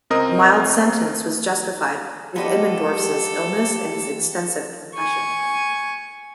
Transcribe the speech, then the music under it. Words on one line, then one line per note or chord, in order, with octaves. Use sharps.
The mild sentence was justified with Immendorff's illness and his extensive confession.
C#2 C4 A#4 D#5 A#5 D#6
F3 G3 B3 G4 A4 D5 D#5
G#5 C#6